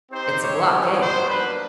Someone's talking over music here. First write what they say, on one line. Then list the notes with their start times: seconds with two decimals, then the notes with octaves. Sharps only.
"It's a blockade."
0.12 C4 D#4 G4 C5
0.41 C#5
0.69 G3 B3 D#4 F#4 C#5
0.99 C5
1.27 G3 A#3 D4 B4